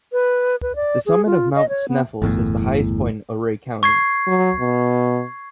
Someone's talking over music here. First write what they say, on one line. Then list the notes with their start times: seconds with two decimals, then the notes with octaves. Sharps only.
The summit of Mount Sneffels is the highest point in Ouray County.
0.13 B4
0.62 B4
0.76 D5
1.06 G#4
1.26 F4
1.55 D#5
1.69 C#5
1.88 B3
2.22 G1 E2 A2
3.83 C#6 G#6 C7
4.27 F#3
4.59 B2